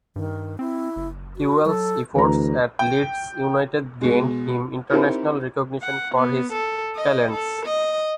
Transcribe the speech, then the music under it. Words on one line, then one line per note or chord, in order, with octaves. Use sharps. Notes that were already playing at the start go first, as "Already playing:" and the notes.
Kewell's efforts at Leeds United gained him international recognition for his talents.
G2 D#3
C4 E4
F#1
F#4
F#3 A4
D2 E3 E4 B4 A#5
G5
B2 G#3
C4 D#4 E4 G4 A#4 C#5
F#5
B3
A4
D#5
A4
D#5